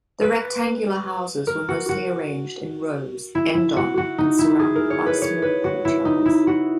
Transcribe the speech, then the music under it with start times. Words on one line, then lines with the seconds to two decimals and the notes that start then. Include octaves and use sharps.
The rectangular houses were mostly arranged in rows end-on and surrounded by small courtyards.
0.22 B4
1.47 A#4
1.69 F#4
1.89 F#4
3.35 E4
3.55 E4
3.76 F#4
3.97 F#4
4.18 D#4
4.39 E4
4.59 G#4
4.75 A#4
4.90 C#5
5.06 B4
5.22 C#5
5.42 B4
5.64 F#4
5.85 E4
6.05 D#4
6.25 E4
6.47 F#4